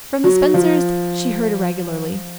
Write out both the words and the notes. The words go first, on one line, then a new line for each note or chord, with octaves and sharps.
From the Spencers she heard irregularly.
F#3
F3